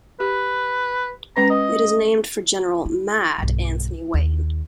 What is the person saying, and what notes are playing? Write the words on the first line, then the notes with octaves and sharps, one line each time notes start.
It is named for General "Mad" Anthony Wayne.
G4 B4
G#3 C#4 B4 A#5
D#5
E4
B1 G2
D#2